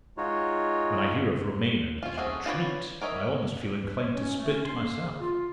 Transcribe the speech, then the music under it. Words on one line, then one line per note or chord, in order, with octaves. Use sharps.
When I hear of Romayne and his Retreat, I almost feel inclined to spit, myself.
G#3 D#4 F4 F#4 C#5
C#4 F4
A3 C4 C#4 F#4 G#4
F4 B4 C#5 D5
A#4 C#5 D#5 E5
B4
C#5
C#4
A3
C#4
C6
A#3
C#3
F4